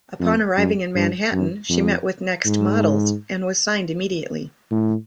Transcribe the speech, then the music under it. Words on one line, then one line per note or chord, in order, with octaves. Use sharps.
Upon arriving in Manhattan, she met with Next Models, and was signed immediately.
F2
F#2
G2
F#2
F2
G#2
A2